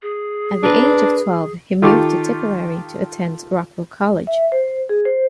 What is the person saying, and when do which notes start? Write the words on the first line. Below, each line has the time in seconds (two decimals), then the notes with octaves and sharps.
At the age of twelve, he moved to Tipperary to attend Rockwell College.
0.02 G#4
0.63 D4 A#4 B4
1.82 D#3 F4 G4 A4 C#6 D6
4.27 E5
4.52 C5
4.89 G#4
5.05 C5